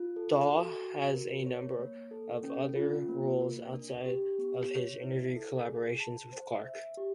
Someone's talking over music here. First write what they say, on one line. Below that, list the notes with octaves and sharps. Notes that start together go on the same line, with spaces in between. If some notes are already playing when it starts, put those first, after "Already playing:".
Dawe has a number of other roles outside of his interview collaborations with Clarke.
Already playing: F4
A4
F#4
F#4
A#4
C#5
A#3
A4
C#4
F4
A#3
A#4
D4
G4
B3
C#5
E4
A4
G#4
A5
C5
E5
G4